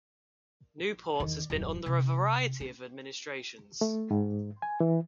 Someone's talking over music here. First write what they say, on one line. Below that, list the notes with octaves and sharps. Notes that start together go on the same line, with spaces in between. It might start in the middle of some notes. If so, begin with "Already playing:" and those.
Newport has been under a variety of administrations.
E2 D#3
D#1 F#2
C3
C#4
A3
G#2
G#5
E3